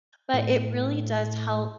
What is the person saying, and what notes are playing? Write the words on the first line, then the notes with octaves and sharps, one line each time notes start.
But it really does help,
A2